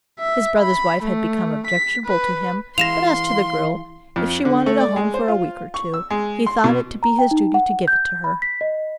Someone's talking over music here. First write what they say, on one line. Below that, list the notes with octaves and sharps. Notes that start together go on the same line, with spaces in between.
His brother's wife had become objectionable to him, but as to the girl, if she wanted a home for a week or two, he thought it to be his duty to give it to her.
E5
B5
A3
B6
B4
E3 G#3 E4 F5 C6 A#6 E7 F7
F2
D3
A3
D5
G#3
C5
F4
C#6
E6
G#3
C6
B2
A#5
G5
D#4
F#5
G6
B5
B6
D#5